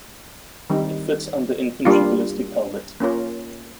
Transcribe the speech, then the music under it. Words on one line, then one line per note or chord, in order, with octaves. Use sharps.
It fits under infantry ballistic helmet.
D#3 G3 C4 D#4
G3 A#3 D4 F4
A#3 C#4 F4 A#4